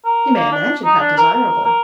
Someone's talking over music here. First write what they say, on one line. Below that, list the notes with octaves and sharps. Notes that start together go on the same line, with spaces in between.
You may imagine how desirable!
A#4
A#3
D4
D#4
D4
A#4
A#4
A#4